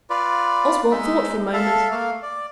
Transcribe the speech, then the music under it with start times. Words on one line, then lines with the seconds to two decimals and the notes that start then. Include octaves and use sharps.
Osborne thought for a moment.
0.10 F4 B4 D5
0.92 G#3 D#4 E5
1.53 A4 E5 F5 A5
1.91 A3 A#3 F5
2.22 D5